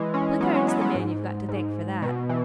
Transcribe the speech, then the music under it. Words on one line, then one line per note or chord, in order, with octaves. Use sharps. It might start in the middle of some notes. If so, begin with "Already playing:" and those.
Blenkiron's the man you've got to thank for that.
Already playing: E3 G#3
G#3 C#4
F#3 B3
G#3 C#4
F#3 B3
F#3 B3
G#2
G#2
B2
E3